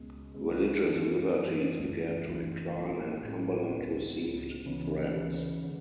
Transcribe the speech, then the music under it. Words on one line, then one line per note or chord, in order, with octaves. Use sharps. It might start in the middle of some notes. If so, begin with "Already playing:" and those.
Religious liberties began to decline and Cumberland received threats.
Already playing: C#2 B2 G#3
C#2 B2 G#3
F#2 E3 G#3
F#2 E3 G#3
F#1 F#2 E3 A3
F#1 F#2 E3 A3
A1 A2 G#3 B3 E4
A1 A2 G#3 B3 E4
C#2 B2 G#3 B3 F#4
C#2 B2 G#3 B3 F#4
C#2 C#3 E3 B3
C#2 C#3 E3 B3
D3 G#3